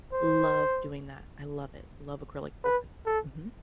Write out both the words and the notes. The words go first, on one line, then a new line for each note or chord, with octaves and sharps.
Love doing that. I love it. Love acrylic pours. Mhm.
C5
B4
A4